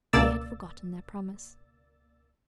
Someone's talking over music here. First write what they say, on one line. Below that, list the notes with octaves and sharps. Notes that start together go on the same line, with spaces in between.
They had forgotten their promise.
C#2 B2 A#3 D5 E6 A6